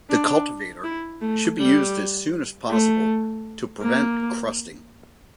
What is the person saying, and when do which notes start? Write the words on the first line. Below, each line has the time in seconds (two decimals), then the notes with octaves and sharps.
The cultivator should be used as soon as possible to prevent crusting.
0.10 D4
0.84 E4
1.22 A3
1.59 G3
2.70 A3
3.81 A#3